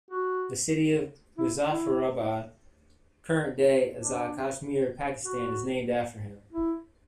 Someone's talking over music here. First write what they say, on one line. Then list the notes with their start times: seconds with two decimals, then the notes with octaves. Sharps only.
The city of Muzaffarabad, current day Azad Kashmir, Pakistan, is named after him.
0.10 F#4
1.38 E4
1.71 E4
3.96 D4
5.24 F#4
6.52 E4